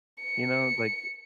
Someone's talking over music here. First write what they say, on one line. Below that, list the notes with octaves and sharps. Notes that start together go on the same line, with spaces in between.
you know, like
C#7